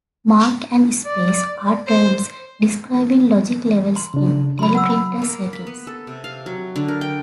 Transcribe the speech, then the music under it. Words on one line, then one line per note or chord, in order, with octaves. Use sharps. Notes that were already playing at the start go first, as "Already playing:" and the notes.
"Mark" and "space" are terms describing logic levels in teleprinter circuits.
D5
C5
C6
C#3 D4
F#3 B5 C6
F#5 E6
B5
A#3
B5
B3
A4
C3
F5
F#3
D3
A#4
G5